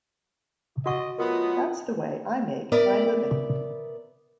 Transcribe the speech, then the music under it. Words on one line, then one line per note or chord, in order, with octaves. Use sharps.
That's the way I make my living.
F#4 D#5 F#5 C#6
F#3 A3 B3 F4 A#4 D#5
B3 A#4 D5 E5